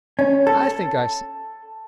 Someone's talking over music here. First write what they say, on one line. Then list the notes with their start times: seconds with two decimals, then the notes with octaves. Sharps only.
I think I see.
0.19 C#4
0.47 A4